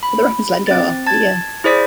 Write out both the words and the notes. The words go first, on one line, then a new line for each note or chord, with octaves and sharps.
But the Rapids let him go after the year.
B5
C4 A6
A5 G#6 A6
E4 G#4 C5 D5 B6